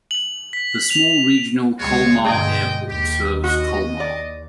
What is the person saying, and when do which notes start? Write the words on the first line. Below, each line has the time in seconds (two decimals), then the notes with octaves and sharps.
The small regional Colmar Airport serves Colmar.
0.11 F#7
0.53 B6
0.90 F7
1.78 C#2 G#3 F4 F#4 C#5
2.24 G2 B2 D3 G#3 G#4 D5 D#5 G5
2.87 D#2 G4
3.44 F#4 D#5
4.00 D5